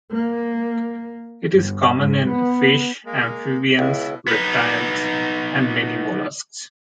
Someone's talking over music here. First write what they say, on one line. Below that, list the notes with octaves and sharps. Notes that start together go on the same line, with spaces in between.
It is common in fish, amphibians, reptiles, and many molluscs.
A#3
G1
G#2
B3
G#3 A#3
C#2 B2 E4
B3 D#4